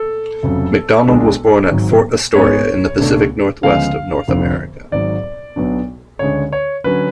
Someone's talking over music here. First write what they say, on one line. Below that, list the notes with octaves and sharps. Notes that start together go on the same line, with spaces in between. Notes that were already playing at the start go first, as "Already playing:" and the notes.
MacDonald was born at Fort Astoria, in the Pacific Northwest of North America.
Already playing: A4
F1 F2 C#3 F#3
B1 B2 G#3 D4
G#1 G#2 F#3
G#2 G#3 B3 C#5
C#2 B2 A3 D4
D2 C#3 F3 G#3 B3 F5
F1 F2 D3 F3
G#1 G#2 F#3 D5
B1 B2 F#3 B3 D4
D2 C#3 G#3 D4 C#5
C#5
D3 F#3 C#4 B4